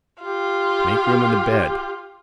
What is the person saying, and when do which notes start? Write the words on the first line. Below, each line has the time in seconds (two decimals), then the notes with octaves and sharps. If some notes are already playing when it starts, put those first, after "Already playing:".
Make room in the bed.
0.22 F4 G4